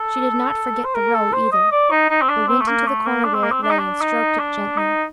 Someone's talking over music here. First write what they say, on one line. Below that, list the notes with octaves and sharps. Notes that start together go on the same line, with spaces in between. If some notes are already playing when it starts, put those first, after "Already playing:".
She did not forget the roe either, but went into the corner where it lay, and stroked it gently.
Already playing: A4
C5
A#4
A4
C5
D#5
D5
D#4
D#4
C4
D4
C4
A3
A#3
A3
A#3
D4
C4
A#3
C4
D4
D#4
D4
D#4
D4
D#4